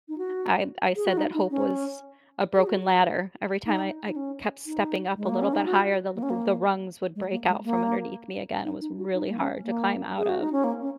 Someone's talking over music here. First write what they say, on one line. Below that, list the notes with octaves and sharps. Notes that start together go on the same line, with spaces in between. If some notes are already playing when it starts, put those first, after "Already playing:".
I I said that hope was a broken ladder; every time I I kept stepping up a little bit higher, the l b the rungs would break out from underneath me again; it was really hard to climb out of.
D#4
F#4
G#4
F#4
D#4
D#4
C#4
G#4
F#4
D#4
D#4
C#4
D#4
G#3
A#3
C#4
D#4
F#4
A#3
C#4
A#3
G#3
A#3
G#3
A#3
D#4
D#4
F#4
D#4
A#3
C#4
A#3
G#4
F#4
D#4
C#4
A#3
C#4